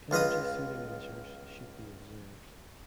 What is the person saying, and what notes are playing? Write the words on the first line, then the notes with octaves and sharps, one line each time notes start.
Energy saving measures should be observed.
C#2 F4 B4 D#5 D#6